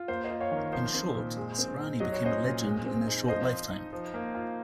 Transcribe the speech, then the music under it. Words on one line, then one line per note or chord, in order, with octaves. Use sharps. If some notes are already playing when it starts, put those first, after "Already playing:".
In short, Sirani became a legend in her short lifetime.
Already playing: F4
A#3 C5
C5 D#5
F4
C#5 F5
D#3
A#4
F3 C5
C4
A#2
G#3
C4
D#4
F#3 D#5
C#5
C#4 C5 D#5
A#2
G#3
C4
D#4
F3 C5 D#5
C4
D#4
F3
A#3
F4